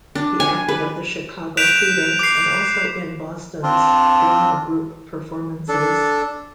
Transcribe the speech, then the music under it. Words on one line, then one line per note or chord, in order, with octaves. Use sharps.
He acted at the Chicago Theater and also in Boston's Drama Group performances.
D4
G#5
B4
F#6 G6 B6 D7 E7 F7
D6 C7
C4 D4 F4
D4 A4